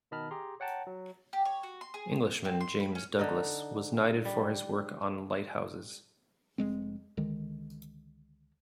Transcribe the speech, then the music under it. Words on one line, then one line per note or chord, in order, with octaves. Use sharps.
Englishman James Douglass was knighted for his work on lighthouses.
B2 D#3 D#5 A5 B5 F6
G4 G#4 A#5 C6
C#5 F#5 G5 A5 A#5
F#3
G4
C#5
F#4
C6
G#4
C4
C6
B5
C#4
D3 D#4
G3
F1 G#3 C4
C#2 D3 D#3 G#3